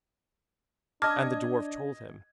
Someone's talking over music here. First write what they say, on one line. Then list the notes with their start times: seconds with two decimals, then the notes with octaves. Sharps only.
And the dwarf told him.
1.02 D4 D#5 A5 D6 F6 G#6